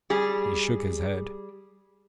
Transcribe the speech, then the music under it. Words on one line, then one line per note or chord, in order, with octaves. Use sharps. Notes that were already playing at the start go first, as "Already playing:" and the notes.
He shook his head.
G3 G#4